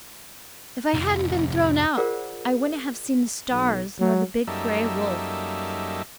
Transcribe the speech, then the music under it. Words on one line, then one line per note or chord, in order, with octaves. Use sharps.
"If I hadn't been thrown out I wouldn't have seen the stars, nor the big gray wolf."
C2 F2
F4 G#4 A#4 C5 D5 F#5
B1
F#3
F#2 G3 A#3 D#4 A4 E5